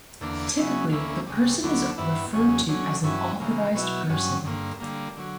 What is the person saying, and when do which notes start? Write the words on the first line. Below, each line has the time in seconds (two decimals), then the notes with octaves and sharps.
Typically, the person is referred to as an authorised person.
0.21 E2 D3 A#3 D4
0.57 C#3 F#3 C#4 E4
0.92 D2 D3 A#3 C#4 E4
1.27 D2 C#3 G3
1.62 D2 D3 F#3 B3 D4
1.98 G2 E3 B3 E4
2.33 E2 C#3 F#3 C#4
2.69 D3 F#3 C#4
3.03 G2 F#3 C#4 E4
3.39 C#3 E3 A#3
3.74 B2 F#3 B3 E4
4.10 G2 F#3 C#4
4.45 G2 D3 A#3
4.80 D3 G3 A#3
5.17 D3 F#3